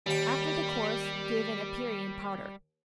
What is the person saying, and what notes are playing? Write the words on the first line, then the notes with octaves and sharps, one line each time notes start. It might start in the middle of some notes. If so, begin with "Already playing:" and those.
After the course give an aperient powder.
D#2 G3 G5